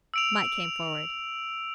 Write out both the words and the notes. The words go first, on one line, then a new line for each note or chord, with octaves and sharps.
Mike came forward.
E6 D7 F7